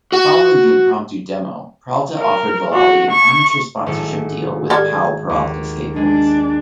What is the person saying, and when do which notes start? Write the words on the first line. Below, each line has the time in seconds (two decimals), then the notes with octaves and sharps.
Following the impromptu demo, Peralta offered Vallely an amateur sponsorship deal with Powell-Peralta Skateboards.
0.12 F#4 F#5
2.19 A#4
2.74 F#4
3.10 C#6
3.86 G#1 A2 A4
4.70 G3 A4 G#6
5.29 D#2
5.96 G#3 D4